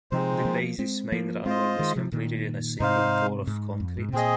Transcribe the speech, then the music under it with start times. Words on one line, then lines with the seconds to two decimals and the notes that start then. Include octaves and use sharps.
The base's main runway was completed in a single pour of concrete.
0.11 C3 F3 G#3 C4 D#4 C5
0.45 F3 A#3
0.78 G#3 C4
1.12 F3 A#3
1.45 G#3 C4 F4 C5 D#5
1.79 D#3 G#3
1.96 C3 F3
2.12 A#2 D#3
2.80 G#2 C3 D#4 C5 F5
3.47 G#2
3.80 F2
3.97 G#2
4.09 C3
4.13 A#2 C4 G#4 D#5